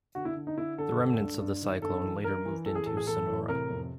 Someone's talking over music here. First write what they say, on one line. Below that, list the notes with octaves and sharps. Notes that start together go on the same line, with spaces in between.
The remnants of the cyclone later moved into Sonora.
D3 F#4
E4
D3
D#4
D3 E4
D3 A4
G2
G2
G2
D#3
G2 A4
E3
G2 A#4
E3
E3 A4
G#4
A2 A4
G#4
E3 A4
A2
C3 A#4
F2